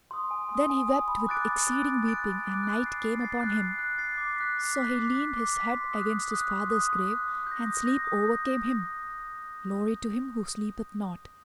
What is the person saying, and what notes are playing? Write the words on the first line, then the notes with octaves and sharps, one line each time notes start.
Then he wept with exceeding weeping and night came upon him; so he leant his head against his father's grave and sleep overcame him: Glory to him who sleepeth not!
C6 D#6
G#5
C6
D#6
G#5
C6 D#6
B5
D6 F#6 A6 D7
B5
D6 F#6 A6 D7
B5
D6 F#6 A6 D7
B5
D6 F#6 A6 D7
F#6
A6 C7
F#6
A6 C7
F#6
A6 C7
F#6
A6 C7
D6
F#6 B6
D6
F#6 B6
D6
F#6 B6
D6
F#6 B6
C6
D#6 F#6
C6
D#6 F#6
C6
D#6 F#6
C6
D#6 F#6
D#6
G6 A#6
D#6
G6 A#6
D#6
G6